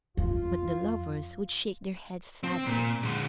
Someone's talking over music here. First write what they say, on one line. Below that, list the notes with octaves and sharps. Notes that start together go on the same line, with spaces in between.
But the lovers would shake their heads sadly.
F2 F4
C4
A#2
D3 G#3